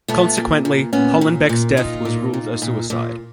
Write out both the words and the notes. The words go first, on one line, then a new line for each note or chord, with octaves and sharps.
Consequently, Hollenbeck's death was ruled a suicide.
A#2 A3 B3
A#2
A#2
A#2 B3 C#4
A#2
A#2
A#2 D#4 F4
A#2
A#2
A#2
A#2